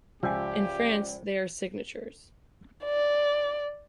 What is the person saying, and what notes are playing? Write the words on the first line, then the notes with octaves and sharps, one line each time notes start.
In France they are "signatures".
C#2 F3 G4 D5 E5 G5 G#5
D5